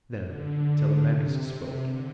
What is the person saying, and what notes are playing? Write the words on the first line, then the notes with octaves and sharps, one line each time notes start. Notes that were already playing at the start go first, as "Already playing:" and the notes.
Then Telemachus spoke.
D3
C3
C3
D3